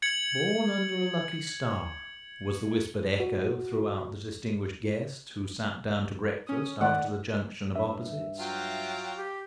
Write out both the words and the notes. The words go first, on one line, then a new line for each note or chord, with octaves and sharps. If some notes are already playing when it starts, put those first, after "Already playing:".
"Born under a lucky star," was the whispered echo throughout the distinguished guests who sat down to breakfast after the junction of opposites.
G#6 C#7 F#7
F#4
C#4 D#6
D#3 A3 D5 F#5
G2 E5
F#3 F4 G5
G4